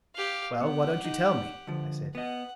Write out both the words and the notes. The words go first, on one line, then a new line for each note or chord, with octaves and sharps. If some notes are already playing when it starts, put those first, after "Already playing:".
"Well, why don't you tell me?" I said.
G4 F5
B3 G4 F#5
D#4
D3 F3
B3 D#5 F#5